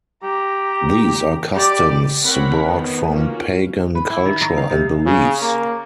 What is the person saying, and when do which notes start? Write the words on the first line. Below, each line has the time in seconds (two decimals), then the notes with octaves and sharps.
These are customs brought from pagan culture and beliefs.
0.23 G4 A#5
1.53 G4 D5
2.24 C4 A#4 C#5 F#5 B5
2.66 D#3 B3
3.11 A#3 C#4 F4 F#4
3.95 B4
4.10 E4
4.25 D#3
4.41 D#4
4.57 F5
4.70 C3
5.06 C#3
5.42 A#3